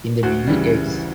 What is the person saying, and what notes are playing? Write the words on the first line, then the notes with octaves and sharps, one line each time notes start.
In the Middle Ages.
D2 F#4
C#3 E3 G3